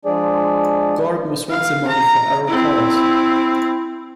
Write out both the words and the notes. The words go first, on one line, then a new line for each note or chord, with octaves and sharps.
Gordon was once a model for Arrow Collars.
F3 G#3 D4 G#4 D5
F5
A#5
C4 E4